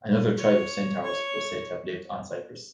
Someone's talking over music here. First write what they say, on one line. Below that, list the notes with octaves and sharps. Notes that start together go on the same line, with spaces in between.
Another tribe of centaurs was said to have lived on Cyprus.
C#5
C#5